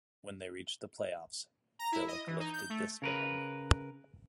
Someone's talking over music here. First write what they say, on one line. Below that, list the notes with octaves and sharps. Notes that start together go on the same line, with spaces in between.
When they reached the playoffs, Billick lifted this ban.
A#5
E4
D#5
E3
D#4
G6
A3
C#3 A#4 B4